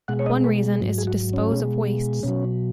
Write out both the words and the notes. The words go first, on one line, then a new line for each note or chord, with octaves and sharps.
One reason is to dispose of wastes.
B2 G#3 F#5
C#5
D#5
B4
G#2 F#3
G#4
F#4
C#4
B2 G#3
B2 F#3 C#4